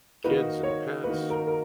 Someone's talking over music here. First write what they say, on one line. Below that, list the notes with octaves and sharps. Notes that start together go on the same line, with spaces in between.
kids and pets,
D#3 A#3 D#4 F#4 B4
C#5
D#3 A#3 D#4 F#4 B4
A#4
A#4